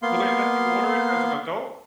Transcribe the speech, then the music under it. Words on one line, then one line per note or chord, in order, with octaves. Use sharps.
Will they let you order it as an adult?
A#3 B3 F5 C6